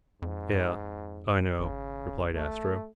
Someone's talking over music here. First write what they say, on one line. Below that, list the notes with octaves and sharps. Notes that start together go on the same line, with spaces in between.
"Yeah, I know," replied Astro.
F2 G#2
G#1 C#3
A3